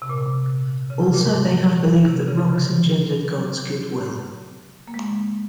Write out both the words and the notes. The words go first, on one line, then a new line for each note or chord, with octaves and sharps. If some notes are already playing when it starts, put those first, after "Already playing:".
Also, they have believed that rocks engendered God's good-will.
C3
A#2
C3
C#3
C3
A#2
G#2
C3
C#3
C#3
D#3
F#3
A#3
G#3